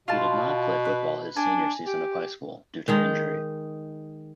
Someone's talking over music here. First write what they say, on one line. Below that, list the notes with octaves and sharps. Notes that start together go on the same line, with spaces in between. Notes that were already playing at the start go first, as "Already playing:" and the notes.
He did not play football his senior season of high school due to injury.
B2 F4 F5 A5
B4
D4 G#5
G4
D#3 G#3 D#4